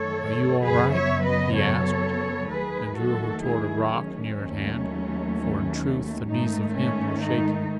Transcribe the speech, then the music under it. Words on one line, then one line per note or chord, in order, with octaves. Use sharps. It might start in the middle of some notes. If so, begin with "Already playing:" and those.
"Are you all right?" he asked, and drew her toward a rock near at hand--for in truth, the knees of him were shaking.
Already playing: F#2 D#3 A3 A4 C#5
F#2 C#3 F#3 B3 G#4 B4
C#5 E5
B4 D#5
A4 C#5
D#2 D#3 F#3 A3 G#4 B4
F#4 A4
E4 G#4
C#4
D#2 D#3 F#3 A3
G#2 D#3 A3 D#4
C#4
D#4